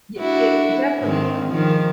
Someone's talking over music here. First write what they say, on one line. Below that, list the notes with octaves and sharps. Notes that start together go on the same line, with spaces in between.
Ye it definitely.
D4 E4 F#4
G#2 D#3 C4
D#3 F3